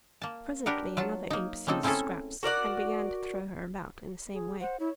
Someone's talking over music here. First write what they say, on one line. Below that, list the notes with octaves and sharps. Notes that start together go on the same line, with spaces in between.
Presently another imp seized Scraps and began to throw her about, in the same way.
A#3 A5
D4 G4 A#4 B4 F#5
F#3 F4 A5
A#3 D#4
C#3 A#3 C4 D#4 A4
A3 C4 C#4 E4 G#4 A4
F#4 A#4 D5 F#5
G#4
C5 F#5
E4 C#5